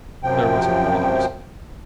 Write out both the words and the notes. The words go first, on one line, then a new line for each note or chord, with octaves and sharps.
There was a pause.
F#2 C3 F3 G5